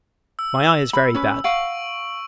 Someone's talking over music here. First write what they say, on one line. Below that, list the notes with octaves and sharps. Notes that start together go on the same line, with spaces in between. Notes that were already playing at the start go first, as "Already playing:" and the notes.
My eye is very bad.
E6
B5
C#4 B4
F5 F#5 C#6 D7 F#7